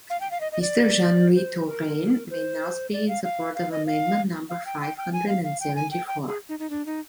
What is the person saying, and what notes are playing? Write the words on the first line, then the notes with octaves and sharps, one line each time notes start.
Mr. Jean-Louis Touraine may now speak in support of Amendment number five hundred and seventy-four.
F5
G5
F5
D#5
D#5
D5
C5
A#4
C5
D5
F5
F5
F5
D#5
F5
F5
G5
G5
G5
G#5
F5
F5
G5
G#5
G5
G5
G#4
D#4
D#4
D4
D#4